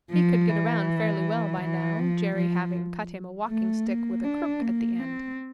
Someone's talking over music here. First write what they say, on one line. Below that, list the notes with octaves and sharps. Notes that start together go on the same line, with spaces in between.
He could get around fairly well by now, Jerry having cut him a walking-stick, with a crook at the end.
F3
E3
E3
F3
F3
A3
A#3
D4
A#3
C4